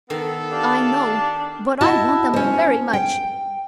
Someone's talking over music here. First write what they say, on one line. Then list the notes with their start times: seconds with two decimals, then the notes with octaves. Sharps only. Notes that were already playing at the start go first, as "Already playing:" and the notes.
"I know; but I want them very much."
0.10 D#3 B3 A4
0.51 D4 G4 F5 A5
1.81 E4 F#4 D#5 A5
2.34 C#4 C5
2.93 G5